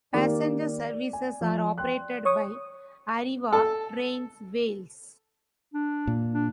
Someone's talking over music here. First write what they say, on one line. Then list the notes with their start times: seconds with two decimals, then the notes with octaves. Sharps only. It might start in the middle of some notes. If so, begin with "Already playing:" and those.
Passenger services are operated by Arriva Trains Wales.
0.14 D#3 A#3 G4 D5
1.13 G#5
1.41 F3
1.78 G5 C6 F#6
2.25 C#5 C#6 D#6
3.53 A4
5.74 D4
6.07 A#2
6.34 D4